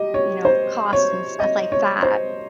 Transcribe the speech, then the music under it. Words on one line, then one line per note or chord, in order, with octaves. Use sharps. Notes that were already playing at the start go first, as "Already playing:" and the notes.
you know, cost and stuff like that.
Already playing: G4 D#5
C#5
C5
C#5
D#5
C#5
C5